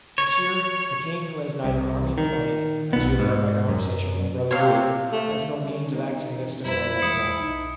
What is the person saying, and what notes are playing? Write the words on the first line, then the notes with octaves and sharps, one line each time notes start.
"Monsieur, a king who has neither army nor money, as you have heard my conversation with my brother Louis, has no means of acting against a man like Monk."
C#5
C2
D#3
B1 B3
G#2
F#2
C3 C#5 F5
A3
G3 C#4
B3 D#4
D3 E3 C4
F2 G3 E4 C5
E2 G#3 B5 D#6 C#7
B1 D#4